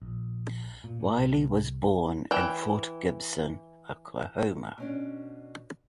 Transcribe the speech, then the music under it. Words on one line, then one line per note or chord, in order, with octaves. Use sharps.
Wiley was born in Fort Gibson, Oklahoma.
A#1
A#2
A#2
C2
E3 G5
B2 C#4 D4